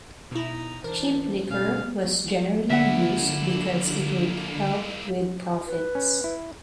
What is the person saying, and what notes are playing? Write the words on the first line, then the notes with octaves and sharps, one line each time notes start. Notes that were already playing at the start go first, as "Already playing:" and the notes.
Cheap liquor was generally used because it would help with profits.
B2 D#4 E4 A#5
E3 D4 A#4 C5
B2 C#4 F5 G#5
D3 A#3 E4 E5 F#5
B4
C#4
E4